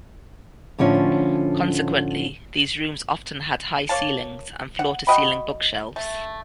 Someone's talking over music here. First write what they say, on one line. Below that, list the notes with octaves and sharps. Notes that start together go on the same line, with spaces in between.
Consequently, these rooms often had high ceilings and floor-to-ceiling bookshelves.
A2 D3 F3 C#4 F4
A#3 C#5 F5 A5
F#5
F#4 D#5 G5 B5
A3